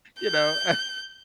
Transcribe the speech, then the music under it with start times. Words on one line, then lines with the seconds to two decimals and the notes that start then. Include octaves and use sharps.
you know. Uh
0.21 G6